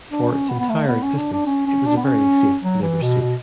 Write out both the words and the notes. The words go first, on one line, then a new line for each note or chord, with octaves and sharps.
For its entire existence, it was a very safe Labor seat.
D4
C#4
B3
B3
A3
B3
C#4
D4
D4
C#4
C#4
D4
B3
C#4
F#3
E3
B2
B2